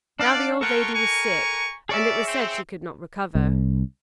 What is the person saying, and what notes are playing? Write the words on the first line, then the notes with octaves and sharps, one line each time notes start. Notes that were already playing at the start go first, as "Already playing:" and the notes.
Now the old lady was sick, and it was said she could not recover.
D4 D5 F5 F#5
F4 A4 A#4 F#5 G5 C#6
G#5 A#5 C#6
G#4 A#4 C#5 D5 E5
C4
C2